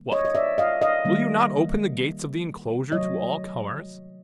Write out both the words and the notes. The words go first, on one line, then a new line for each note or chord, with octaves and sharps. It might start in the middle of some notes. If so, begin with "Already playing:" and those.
"What! will you not open the gates of the enclosure to all comers?"
Already playing: D3 G3 A#3
C#5 D#5
D#5
D5 E5
D#5 F5
D#5 F5
D#3 G3 A#3
C3 D#3 F#3 A3 C#5 D#5